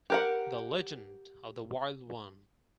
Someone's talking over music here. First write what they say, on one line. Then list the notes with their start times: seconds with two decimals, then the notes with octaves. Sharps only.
The Legend of The Wild One.
0.10 G4 A#4 F#5